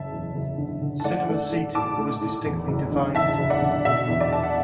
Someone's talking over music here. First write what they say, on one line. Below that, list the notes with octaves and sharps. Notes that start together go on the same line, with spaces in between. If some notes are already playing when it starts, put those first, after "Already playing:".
Cinema seating was distinctly divided.
Already playing: F#1 E5 A5
E2
F#1
D3
D3
A5
A3 D5 F#5
A3
A3
A2 A5 D6
A3
A2
E2
F#1
D3
E2 E5 A5
F#1
D5 F#5
D3
B2 E5
E2
D5
E2 A5
F#5